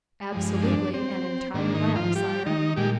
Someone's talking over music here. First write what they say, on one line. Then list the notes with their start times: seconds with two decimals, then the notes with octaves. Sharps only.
"Absolutely an entire lamb, sire."
0.32 G2 F3 G#3
0.62 D4
0.94 C4
1.54 G#2 D#3 A#3 D4
1.74 D#3 D#4
1.96 F3 F4
2.15 G3 G4
2.46 D#3 D#4
2.76 A#2 G3 G#3 G4